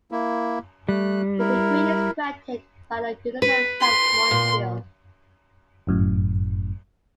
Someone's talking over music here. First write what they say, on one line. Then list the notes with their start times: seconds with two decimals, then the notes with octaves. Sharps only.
The degree is granted by the University of Montreal.
0.12 A#3 E4
0.89 G3 A3 F#6
1.39 E4 A#4
3.42 B4
3.81 C6
4.31 A#2
5.87 G1 F#2 A2